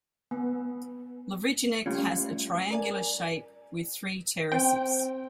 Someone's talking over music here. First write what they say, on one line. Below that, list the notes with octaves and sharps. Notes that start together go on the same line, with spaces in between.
Lovrijenac has a triangular shape with three terraces.
B3
G3 A3 C#4 F4
A#4 D5 G#5
C4 G5